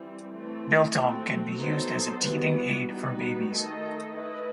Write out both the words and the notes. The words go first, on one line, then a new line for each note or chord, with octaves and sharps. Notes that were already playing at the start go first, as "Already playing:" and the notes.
Biltong can be used as a teething aid for babies.
Already playing: E3 G3 C4
E3 A3 C4
A3 C4 F#4
F#3 B3 D#4 A4 C5
E3 G3 B3 F#4 B4
G3 B3 D#4 F#4 B4
D#3 A3 D#4 A4 D#5
A3 E4 B4 D#5